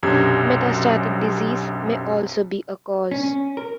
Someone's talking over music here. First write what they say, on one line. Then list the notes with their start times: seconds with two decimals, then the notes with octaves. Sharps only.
Metastatic disease may also be a cause.
0.03 B1 F#2 C3 D4 G4 G#6
3.11 C#4
3.23 C#4
3.57 A#4